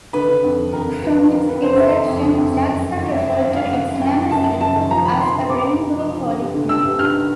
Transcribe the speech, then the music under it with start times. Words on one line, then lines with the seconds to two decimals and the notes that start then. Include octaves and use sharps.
From its inception, Jackson referred to its membership as a Rainbow Coalition.
0.13 D3 B4
0.29 D3
0.44 F2
0.59 D3
0.73 F2 A#4
0.88 F2
1.03 F3 B4
1.18 F3
1.33 D3 A#4
1.47 F2 B4
1.63 F2 C5
1.77 F2 E5
1.92 F2
2.07 F2
2.22 D3
2.37 F2
2.53 F#2
2.67 D#3
2.82 F#2
2.96 D#3
3.12 F#2 E5
3.26 D#3 E5
3.41 F#2 F5
3.56 F#2 F5
3.71 D#3 F#5
3.87 F#2
4.01 F#2 G5
4.16 F#2
4.31 F#2 A5
4.46 F#2
4.61 F#2 A5
4.76 D#3
4.91 F3 A#5
5.05 F3 B5
5.20 F3 C6
5.35 D3 C6
5.50 G2 D6
5.64 G2
5.79 G2
5.94 F3
6.09 F3
6.24 D3
6.39 G2
6.54 D3
6.69 G2 E6
6.84 G2
6.98 G2 F6